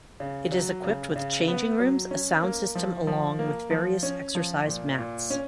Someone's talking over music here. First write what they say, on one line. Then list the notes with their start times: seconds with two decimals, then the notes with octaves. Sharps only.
It is equipped with changing rooms, a sound system along with various exercise mats.
0.20 C#3
0.52 F#3
0.84 C#3
1.16 C#3
1.48 B3
1.79 F#3
2.11 C#4
2.43 A#3
2.75 F3
3.07 F3
3.39 A#3
3.71 F3
4.03 C#4
4.35 F3
4.67 A#2
4.98 A#2
5.30 C#4